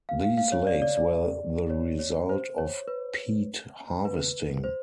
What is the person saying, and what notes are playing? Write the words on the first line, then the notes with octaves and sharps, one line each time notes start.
These lakes were the result of peat harvesting.
F5
F5
F5
C#5
D5
D5
D5
C#5
C#5
C5
C#5
B4
B4
C5